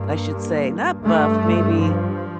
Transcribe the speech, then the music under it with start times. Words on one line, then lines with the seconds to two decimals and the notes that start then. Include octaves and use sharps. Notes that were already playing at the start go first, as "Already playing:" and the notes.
I should say. Not buff, maybe
Already playing: G2 A#3
1.03 G2 A3
1.81 F3